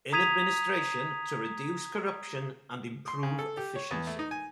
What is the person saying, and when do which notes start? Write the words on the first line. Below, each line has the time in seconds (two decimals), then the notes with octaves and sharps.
In administration to reduce corruption and improve efficiency.
0.13 A#5 D#6 G#6 B6 D#7 F7
3.08 C6
3.23 C#3
3.39 A4
3.57 G4
3.76 C#5
3.91 E2
4.07 A3
4.19 D#4
4.31 G#5